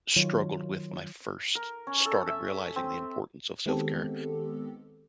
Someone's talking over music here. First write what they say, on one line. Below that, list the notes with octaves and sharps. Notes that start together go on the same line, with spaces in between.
struggled with when I first started realizing the importance of self care
D#3 F#3 F4 C#5
A#4
C#4
A4
E5
C4
D#3 G#3 B3 C4 G4 A4